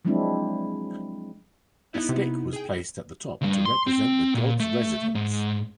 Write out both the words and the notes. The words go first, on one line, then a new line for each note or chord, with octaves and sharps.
A stick was placed at the top to represent the god's residence.
F3 F#3 G#3 C4 D4 E4
B3 D#4 E4
C3
G#4 G5
C#2 G2
C6
C4
A#2
A3
G#2